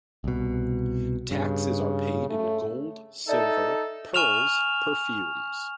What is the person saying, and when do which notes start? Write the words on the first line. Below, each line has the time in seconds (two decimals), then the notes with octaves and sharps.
Taxes are paid in gold, silver, pearls, perfumes.
0.24 C2 B2
1.31 G2 C#3
2.30 A3
3.28 D#4 A4 D5 E5
4.14 G#5 C#6 F6 E7 F7